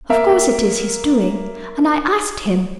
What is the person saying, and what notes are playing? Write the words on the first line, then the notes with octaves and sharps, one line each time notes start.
"Of course it is his doing--and I asked him!"
A#3 A#4 E5